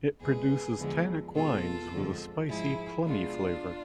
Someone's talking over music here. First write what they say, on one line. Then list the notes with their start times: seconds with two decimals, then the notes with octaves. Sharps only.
It produces tannic wines with a spicy, plummy flavour.
0.20 E2 C3 G#3 G#4 B4
0.78 E2 D3 F3 G#3
1.34 B2 G#3 F4 A4
1.92 F2 D3 G#3
2.49 G#2 F3 G#3 E4 G#4
3.05 B2 G#3 D4 F4